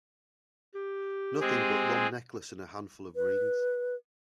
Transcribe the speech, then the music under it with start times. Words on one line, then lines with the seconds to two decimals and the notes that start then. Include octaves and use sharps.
Nothing but the one necklace and a handful of rings!
0.75 G4
1.41 G#3 C4 G#4
3.16 B4